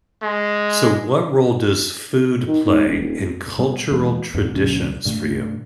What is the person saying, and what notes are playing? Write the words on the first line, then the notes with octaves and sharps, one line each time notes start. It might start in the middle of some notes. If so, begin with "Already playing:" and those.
So, what role does food play in cultural traditions for you?
G#3
D#3
G#2
E1
D#1
A#2 G3 B3
E2 E3 G#3 A#3
E2 G#2 B2
D2 B2 F#3 C#4
G2 A#2 D#3 A3